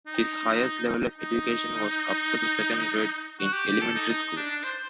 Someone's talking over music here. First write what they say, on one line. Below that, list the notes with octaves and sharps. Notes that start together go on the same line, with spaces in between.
His highest level of education was up to the second grade in elementary school.
D#4
D#4
F#4
G4
G4
A4
D#4
D#4
D#4
D4
D4
C5